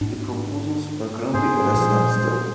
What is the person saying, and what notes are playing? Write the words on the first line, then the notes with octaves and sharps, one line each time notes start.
The proposals are currently at a standstill.
G#2 D4
G#2 C4 G#4 C5
A#2 F3